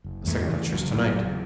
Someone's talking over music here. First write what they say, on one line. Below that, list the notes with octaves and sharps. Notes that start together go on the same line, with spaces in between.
The second lecture's to-night.
F#1
E2 E3 A3
C#3 E3 A3
F#1 F#3
F#1
E2